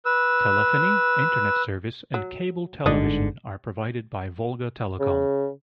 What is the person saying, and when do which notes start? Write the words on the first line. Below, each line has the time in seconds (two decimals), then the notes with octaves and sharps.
Telephony, Internet service, and cable television are provided by VolgaTelecom.
0.05 B4 E6
2.14 F#3
2.86 G1 G#2 D3 D4 D5 D#5
5.00 C#3